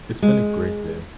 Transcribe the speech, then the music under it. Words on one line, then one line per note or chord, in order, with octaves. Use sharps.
It's been a great day.
G#3